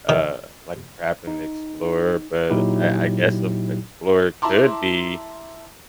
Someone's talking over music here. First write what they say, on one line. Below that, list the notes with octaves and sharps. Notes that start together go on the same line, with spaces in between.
uh, like a traveling explorer, but I I guess, a an explorer could be
D#3
D#4
A#2 F#3 D#4 E4 G4
E4 A5 A#5 C6 D6